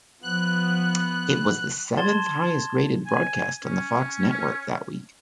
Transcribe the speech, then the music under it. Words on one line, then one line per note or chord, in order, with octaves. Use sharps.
It was the seventh highest-rated broadcast on the Fox network that week.
F3 B3 F#6
A5 C6 G#6 A6 E7 G7
G#5
C#4